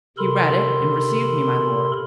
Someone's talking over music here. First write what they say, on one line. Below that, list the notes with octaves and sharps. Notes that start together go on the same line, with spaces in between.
"He read it, and received me, my lord."
C3 A4 A#4 B5 C6